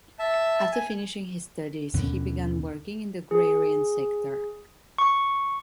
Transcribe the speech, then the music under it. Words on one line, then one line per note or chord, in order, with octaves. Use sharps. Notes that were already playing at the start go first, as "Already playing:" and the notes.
After finishing his studies, he began working in the agrarian sector.
E5 A5
G#5
D#2 B2 D3 C#4
G#4
C#6